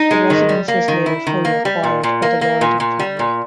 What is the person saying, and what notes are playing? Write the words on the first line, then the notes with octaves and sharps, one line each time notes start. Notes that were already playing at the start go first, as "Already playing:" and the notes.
The residence was later fully acquired by the Loredan family.
Already playing: D#4
G#3
D#3
G3
A#3
D#3
E4
D#3
A#3
G3
A#2
A#2
A#3
A#3
A#2
A#2
G3
A#2